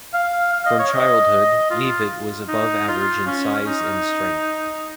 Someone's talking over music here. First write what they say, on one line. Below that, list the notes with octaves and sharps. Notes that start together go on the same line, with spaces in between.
From childhood, Leavitt was above average in size and strength.
F5
F5
D#5
C#5
D#5
F4
D#4
F4
C#4
C#4
D#4